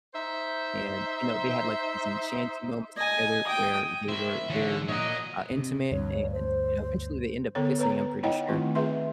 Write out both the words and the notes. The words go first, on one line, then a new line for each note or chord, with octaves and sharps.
and, you know, they had, like, these enchanting moments together where they were very, uh, intimate and, you know, eventually they end up kissing, I'm pretty sure,
D#4 C5 E5
D#5 G#5
G5 D#6
A#4 C5 E5
D3 E3 C#5
A#2 A#4 C#5 D#5 F#5
C3
D2 G2 C#5
C5
D3 B3 A4 C#5
B4 C#5 A#5
D#4 E4 C#5 D#5 F#5 G5
D#3 A3 C4 F4
G#4 B4 E5 C6